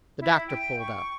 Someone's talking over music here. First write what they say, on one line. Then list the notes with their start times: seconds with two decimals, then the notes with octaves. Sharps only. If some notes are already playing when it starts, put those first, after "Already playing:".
The doctor pulled up.
0.21 E4
0.48 G5
0.79 C#6